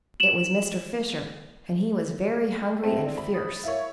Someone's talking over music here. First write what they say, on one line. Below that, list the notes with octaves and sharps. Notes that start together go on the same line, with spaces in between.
It was Mr. Fisher, and he was very hungry and fierce.
E7 F#7
G#3 C4 E4 A5
D5
B5
D#6 A6
E4 A#4 C#5 E5 F5